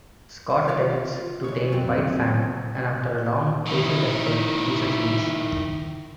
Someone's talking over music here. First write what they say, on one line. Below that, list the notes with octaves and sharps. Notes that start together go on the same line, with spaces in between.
Scott attempts to tame White Fang, and after a long, patient effort, he succeeds.
F4 C#5 D5
F4
E3 C#5
F2 F#3 C4
D#3 E4